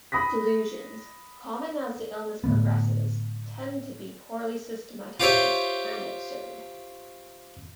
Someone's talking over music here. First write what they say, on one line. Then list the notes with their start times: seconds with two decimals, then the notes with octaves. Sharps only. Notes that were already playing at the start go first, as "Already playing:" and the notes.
Delusions, common as the illness progresses, tend to be poorly systematized and absurd.
0.12 B5 D#6 A#6 B6
2.44 A2 D3 A3 B3
5.20 F4 G4 C5 C#5 E5